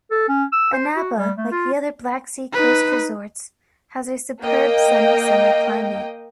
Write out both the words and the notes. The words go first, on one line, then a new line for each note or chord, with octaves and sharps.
Anapa, like the other Black Sea coast resorts, has a superb sunny summer climate.
A4
C#4
E6
C5
F#4
G3
A3
F4
D#4 B4
A#3 D#5 G5